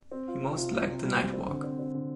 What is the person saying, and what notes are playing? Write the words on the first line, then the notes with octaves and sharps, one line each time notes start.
He most liked the night walk.
C4
F4
C3
F4
F4
C3
G3
C4
C4
D3
C4
C4
D3